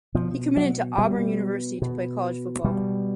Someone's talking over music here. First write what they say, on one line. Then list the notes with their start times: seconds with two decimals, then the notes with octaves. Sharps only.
He committed to Auburn University to play college football.
0.14 B2 F3
0.57 F#3
0.98 B2 G3
1.82 B2
2.64 B2 G3